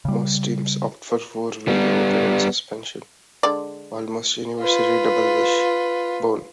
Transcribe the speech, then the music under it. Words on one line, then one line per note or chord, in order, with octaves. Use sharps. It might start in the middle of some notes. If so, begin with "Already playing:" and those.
Most teams opt for four-wheel independent suspension, almost universally double-wishbone.
C#3 G3
G3 B3
D3 G#3 D5
F4 B4